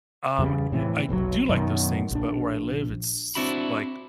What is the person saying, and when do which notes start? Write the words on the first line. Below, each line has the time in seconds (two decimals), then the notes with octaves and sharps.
Um, i do like those things, but where I live, it's, like,
0.39 E2 C#3 G3
0.72 A2 C3 E3
1.09 F1 B1 B2 F#3
1.49 F#2 B2 D#3
2.11 A#1 D4
3.35 C4 D4 E4 F#4 B5